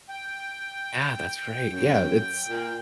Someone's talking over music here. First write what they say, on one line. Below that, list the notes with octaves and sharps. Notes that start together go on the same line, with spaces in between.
Yeah, that's right, yeah, it's
G5
F#2
A#2